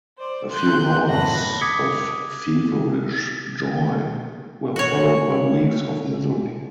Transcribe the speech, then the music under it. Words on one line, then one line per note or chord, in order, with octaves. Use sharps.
A few hours of feverish joy were followed by weeks of misery.
C5 D5
C6 F#6 G6
F#2 A2 A5 B5 F#6 A#6
D6 D#6 G#6 B6 C#7
F#4 C#5